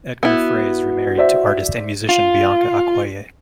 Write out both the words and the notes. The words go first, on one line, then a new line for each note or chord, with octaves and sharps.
Edgar Froese remarried to artist and musician Bianca Acquaye.
B3 E4 F#4
C5 D5 E5
F4